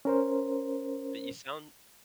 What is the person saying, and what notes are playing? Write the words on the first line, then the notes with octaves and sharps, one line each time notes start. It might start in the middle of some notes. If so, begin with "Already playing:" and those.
But you sound
C#4 A#4 C5